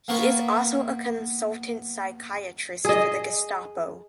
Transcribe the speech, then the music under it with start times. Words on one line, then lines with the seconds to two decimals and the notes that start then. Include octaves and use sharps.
He is also a consultant psychiatrist for the Gestapo.
0.08 A#3 B3 A#4 C#6
2.85 G#4 D#5